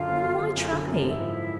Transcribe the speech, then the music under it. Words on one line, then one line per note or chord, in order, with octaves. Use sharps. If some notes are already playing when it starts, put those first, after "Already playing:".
Then why try?
Already playing: F#2 D3 F4
G1
G1
G1
F#2
D3
F#2
G#2 E4
F3